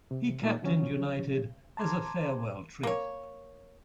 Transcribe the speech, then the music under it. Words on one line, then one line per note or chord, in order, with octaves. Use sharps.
He captained United as a farewell treat.
C3
A#2 A#3 D#4
D3 F3 F#3 C#4 C#5
A5 A#5 C6 D6 G#6
A#3 C#5